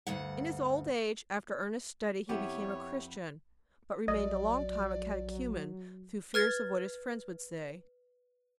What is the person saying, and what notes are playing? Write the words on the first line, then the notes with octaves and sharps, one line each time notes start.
In his old age, after earnest study, he became a Christian, but remained a long time a catechumen through fears of what his friends would say.
D2 G2 F#5
F2 B3 E4 G4 C#5
A#1 F#3 D5 D#5
B4 F6 G#6 A6